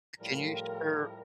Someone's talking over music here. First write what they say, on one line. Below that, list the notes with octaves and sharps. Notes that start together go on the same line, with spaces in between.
can you share
A2 F3 G3 A#4